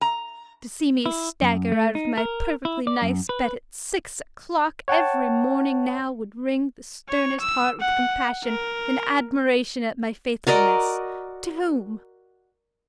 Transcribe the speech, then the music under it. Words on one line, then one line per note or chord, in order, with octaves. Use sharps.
To see me stagger out of my perfectly nice bed at six o'clock every morning now would wring the sternest heart with compassion and admiration at my faithfulness--to whom?
A#5
E4
F#2
A3
D#4
A#4
E4
D5
F#2
B4
C#5 F#5 G5 A5
C#5
E6
F#5
A#4
F#4 A#4 D5 D#5